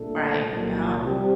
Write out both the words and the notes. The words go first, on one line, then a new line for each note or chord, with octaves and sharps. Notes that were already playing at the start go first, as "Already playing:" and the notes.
Right, yep.
Already playing: C2 A#2 A3 D4 A4
C2 A#2 F#3
C3 G3 C4 G4